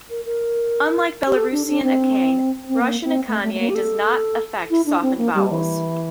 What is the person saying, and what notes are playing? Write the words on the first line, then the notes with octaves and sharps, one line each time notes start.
Unlike Belarusian akanne, Russian akanye does not affect softened vowels.
A#4
A#4
G4
A4
D4
D4
C4
C4
A#3
C4
A3
A3
A3
A#3
G4
A4
E4
D4
C4
A#3
G3
E3